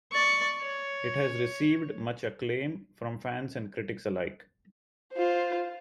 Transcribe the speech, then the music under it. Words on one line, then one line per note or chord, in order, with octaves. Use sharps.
It has received much acclaim from fans and critics alike.
D5 C#6
C#5
F4 C5